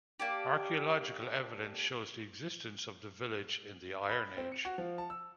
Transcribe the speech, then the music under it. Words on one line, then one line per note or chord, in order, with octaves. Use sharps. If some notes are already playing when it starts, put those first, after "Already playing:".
Archaeological evidence shows the existence of the village in the Iron Age.
A#3 D4 G4
B5
C4
C#7
F#4
F3
A5
E6